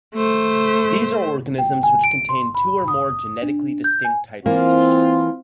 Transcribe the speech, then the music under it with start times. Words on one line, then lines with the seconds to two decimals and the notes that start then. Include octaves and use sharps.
These are organisms which contain two or more genetically distinct types of tissue.
0.14 A3 C5
1.58 G5
1.83 G#5
2.04 D7
2.29 C6
2.55 B5
2.88 D#6
3.42 D4
3.84 G6
4.05 G#5
4.46 E3 A#3 C4 F4